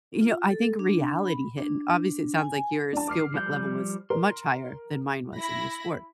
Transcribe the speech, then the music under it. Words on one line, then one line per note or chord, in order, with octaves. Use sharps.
you know, I think reality hit, and obviously, it sounds like your skill m level was much higher than mine was, in your sport
F4
A4
D4
B5
D4
G#5
D4 A5
D6 F6 C7
F3 G3 G6
A#4 C6
E4 B5 A#6